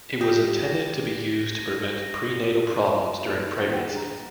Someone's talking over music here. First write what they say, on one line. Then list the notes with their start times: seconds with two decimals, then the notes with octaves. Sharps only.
It was intended to be used to prevent prenatal problems during pregnancy.
0.21 F4 G4 A#6
3.26 A#3 D#4 F#4 A4 B4
3.56 E4 A6 A#6
3.68 D#2 F#5 G5
3.83 D4 G#4
3.96 A#5